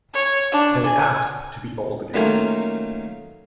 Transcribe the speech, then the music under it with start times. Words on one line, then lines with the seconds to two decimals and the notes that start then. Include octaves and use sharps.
They ask to be old again.
0.14 C#5
0.52 D4
0.85 G#5
2.14 D#3 F#3 A3 A#3 C#4 F4